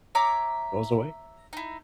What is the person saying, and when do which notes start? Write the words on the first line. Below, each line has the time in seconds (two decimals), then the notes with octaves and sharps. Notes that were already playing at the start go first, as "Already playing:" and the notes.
goes away.
0.15 C#5 E5 A#5 D6
1.53 D#4 E4